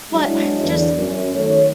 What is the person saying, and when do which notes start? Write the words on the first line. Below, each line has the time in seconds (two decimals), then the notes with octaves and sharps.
but I've just
0.11 F#3 G#3 D4 E4
0.62 E2 D3 E3 D4 D5
0.96 F#2
1.34 D#3 A3 C#5